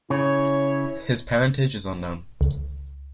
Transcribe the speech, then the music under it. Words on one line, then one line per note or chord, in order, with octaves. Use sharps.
His parentage is unknown.
C#3 E4 C#5
C#2